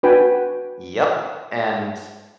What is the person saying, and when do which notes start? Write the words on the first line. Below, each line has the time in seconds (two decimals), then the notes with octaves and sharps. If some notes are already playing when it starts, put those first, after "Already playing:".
Yep, and
0.03 D4 F#4 B4 G5 G#5